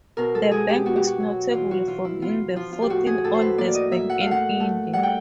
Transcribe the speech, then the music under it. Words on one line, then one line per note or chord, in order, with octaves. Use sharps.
The bank is notable for being the fourteenth oldest bank in India.
B2 A#4
A4
G#3 G#4
G4
B3 F#4
G4
F#4
F#3
E3 F4
F#4
E3 F4
E4
B3 F4
F3 F4
F4
G4
A2 F#4
G#4
A2 A4
C5
B4
A#3 D5
D#5
A#3 E5
F#5
F5
A3
F#5
A3
G3 F#5
G5